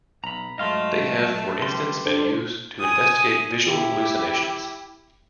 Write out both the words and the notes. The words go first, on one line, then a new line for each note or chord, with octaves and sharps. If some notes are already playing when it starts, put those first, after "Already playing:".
They have for instance been used to investigate visual hallucinations.
B1 A#5 B5
G#2 F#3 A3 D#5 F5 C6
C#3 G3 B4 C6
D4 A4 C5
G#5 D#6
E4 G4